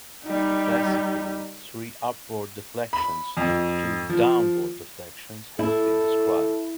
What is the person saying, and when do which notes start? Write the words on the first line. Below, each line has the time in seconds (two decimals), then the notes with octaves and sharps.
Classically three upward deflections and two downward deflections have been described.
0.25 G3 D#4
2.93 B5
3.37 F2
4.09 F3
5.59 E4 A4